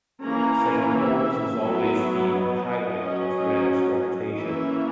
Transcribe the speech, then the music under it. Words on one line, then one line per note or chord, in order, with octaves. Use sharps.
Saint Paul's has always been the highlight of Wren's reputation.
E3 A#3 C#4 A#5
E5
F#3 B3 E5
D#5
F#3 C#4
E3 A#3 C#4 E5